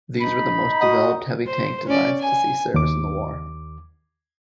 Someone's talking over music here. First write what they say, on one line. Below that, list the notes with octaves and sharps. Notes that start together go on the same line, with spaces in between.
These were the most developed heavy tank designs to see service in the war.
D#4 B5
F#4 D#5
C5
C#4 D5
G#5
D#2 D6